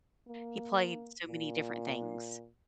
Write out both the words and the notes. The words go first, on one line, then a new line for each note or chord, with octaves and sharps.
he played so many different things."
A#3
A#2